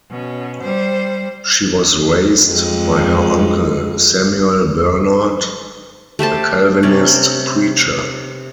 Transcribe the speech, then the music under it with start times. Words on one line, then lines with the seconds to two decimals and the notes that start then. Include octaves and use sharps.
She was raised by her uncle Samuel Bernard, a Calvinist preacher.
0.10 B2 C#4
0.61 G3 C5
2.44 F2 G#3
6.19 A3 G4 C5 A5
6.83 C3 C#4 D5